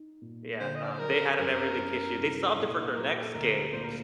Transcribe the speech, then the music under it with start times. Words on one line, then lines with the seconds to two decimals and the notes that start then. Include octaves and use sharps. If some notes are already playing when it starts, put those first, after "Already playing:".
Yeah, um, they had a memory leak issue. They solved it for their next game,
Already playing: D#4
0.21 A#2
0.60 D3 C5
0.76 D#5
0.84 D5
0.92 C5
0.99 F#3 A#4
1.39 F#2 A#4
1.78 F#2
2.17 C2
2.57 A#2
2.95 F#3 A#4
3.05 A4
3.14 G4
3.23 A4
3.34 D2 A#4
3.73 A#2 C5
3.84 A#4